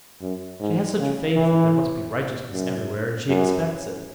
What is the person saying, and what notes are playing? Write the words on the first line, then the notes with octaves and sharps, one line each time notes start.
She has such faith that there must be righteousness everywhere and she expects it....
F#2
G#2
C#3
E3
F#2
F#2